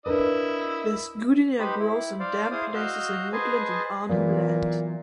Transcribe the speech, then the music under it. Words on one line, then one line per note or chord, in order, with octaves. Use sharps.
This goodenia grows in damp places in woodland in Arnhem Land.
D4 E4 A#4 B4 D#5 E6
D#4 G4 B4 C5 B5
E4
C5 D5 F5
E4 G#4 C5 F5 D#6
F#4 D#5 F5 E6 G6
G#4 B4 C5 D#5 G#5 A5
A#2 E3 F#3 B3